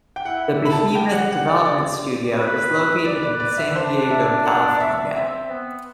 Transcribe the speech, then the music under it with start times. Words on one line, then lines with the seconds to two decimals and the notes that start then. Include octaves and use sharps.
The Behemoth development studio is located in San Diego, California.
0.16 G5
0.25 E4 F#5
0.65 B5
0.72 A5
0.95 G4 G5
1.13 F#5
1.31 F#5
1.48 D5
1.65 D5
2.36 B4
3.05 B4 D5
3.23 D5
3.40 D5
3.57 E5
3.75 D4 C5
4.10 E5
4.46 F#5
4.74 D5
4.80 E5
5.16 C4 E5
5.50 B3